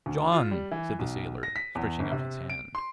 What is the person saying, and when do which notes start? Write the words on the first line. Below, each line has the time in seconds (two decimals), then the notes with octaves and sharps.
"John!" said the sailor, stretching out his hand.
0.06 D2
0.32 F4
0.51 G3
0.71 E3
0.99 B1
1.43 A#6
1.56 B6
1.75 E2
1.99 G1
2.12 C3
2.50 D7
2.75 C6